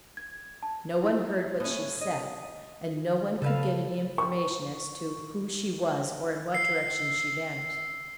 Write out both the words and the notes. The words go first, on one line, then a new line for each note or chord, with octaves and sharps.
No one heard what she said; and no one could give any information as to who she was or in what direction she vanished.
G#6
A5
E4
A2 A#3 C#4
D#5
C#3 A4 B4 F5
C#6
E6 C7